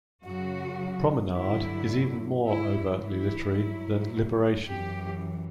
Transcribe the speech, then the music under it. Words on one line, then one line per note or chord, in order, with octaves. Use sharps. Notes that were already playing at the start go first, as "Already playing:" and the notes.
"Promenade" is even more overtly literary than "Liberation".
F#2 C#3 F#3 F#4
G2 D3 F#3 E4
G2 E3 E4
E4
G2 F#3
F#2 E3 G4